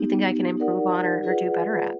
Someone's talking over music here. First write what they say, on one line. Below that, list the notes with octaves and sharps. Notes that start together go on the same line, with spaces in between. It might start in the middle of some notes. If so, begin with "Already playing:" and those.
you think I can improve on or or do better at?"
Already playing: B3 D#4 G4
D#4 G4 A#4 D5 F#5
F4 G#4 B4 D5 F#5